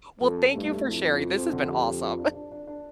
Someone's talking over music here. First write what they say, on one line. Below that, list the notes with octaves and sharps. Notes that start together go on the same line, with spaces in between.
Well, thank you for sharing, this has been awesome.
F2 A4
A4
G2 A3
A3
F2 E4
F3
F3
C4
D3
G4
G4
F3
D4
D4
D4
D4